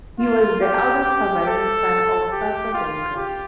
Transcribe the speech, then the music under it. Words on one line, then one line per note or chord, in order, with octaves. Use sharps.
He was the eldest surviving son of Sarsa Dengel.
F4
G4
G4
A4
G4
F4
G4